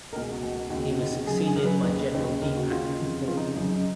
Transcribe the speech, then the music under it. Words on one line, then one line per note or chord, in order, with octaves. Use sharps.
He was succeeded by General Deepak Kapoor.
C#2 B2 A#4
G#4
F#4
C#2 B2
D#2 C#3 F#4
D#2 C#3
F#2 C#3 G#4
G#4
F#2 C#3 A#4
B4
D#2 C#3 B4
D#2 C#3
D#2 C#3 A#4
F#4
D#2 C#3 F4
F2 C#3
F2 C#3 F4
D#4
F#2 C#3 D#4